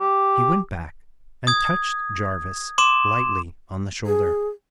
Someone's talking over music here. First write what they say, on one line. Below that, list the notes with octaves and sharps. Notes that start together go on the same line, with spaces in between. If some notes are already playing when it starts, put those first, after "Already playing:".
He went back and touched Jarvis lightly on the shoulder.
G4
D#6 G#6
C6 D6 E7
G#4